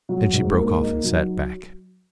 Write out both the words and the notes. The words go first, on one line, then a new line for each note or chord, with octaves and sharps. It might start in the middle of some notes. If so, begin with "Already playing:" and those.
Then she broke off and sat back.
F#3
G#2
A#3
D#4
F#3